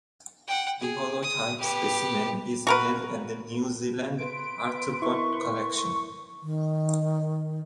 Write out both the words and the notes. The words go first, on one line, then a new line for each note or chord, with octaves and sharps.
The holotype specimen is held at the New Zealand Arthropod Collection.
F#5 G5
G#4
D#6
B3 G4
F#4 A#4 B4
B4 C6 D7
E4 A#4 C#6
D#3